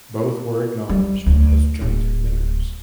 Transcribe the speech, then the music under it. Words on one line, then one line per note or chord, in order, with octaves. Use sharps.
Both were acknowledged as joint winners.
G3
D2
D1